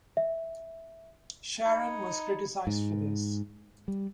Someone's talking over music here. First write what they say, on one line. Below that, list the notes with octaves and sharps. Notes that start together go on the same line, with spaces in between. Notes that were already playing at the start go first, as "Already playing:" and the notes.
Sharon was criticized for this.
E5
D#4 B5 G#6 C#7
G#2
G3